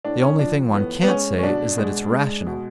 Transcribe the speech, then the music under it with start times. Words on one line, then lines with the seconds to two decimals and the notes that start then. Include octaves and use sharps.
The only thing one can't say is that it's rational.
0.05 A2 D4
0.22 C#4
0.39 F3 D4
0.74 A2 B3
1.03 B3
1.08 G#3 C#4
1.38 C#4
1.43 B2 D4
1.78 G#3
2.12 G#3
2.47 B2